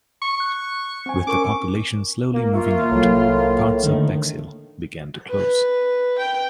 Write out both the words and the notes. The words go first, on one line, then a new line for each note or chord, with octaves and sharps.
With the population slowly moving out, parts of Bexhill began to close.
C#6
F#6
C4 G#5
C#4 A#4 C#6 D6
A#3
F4 E5 F5 C#6
C2 A2 F#3
D3 D#3 A3 A#3
B4
G5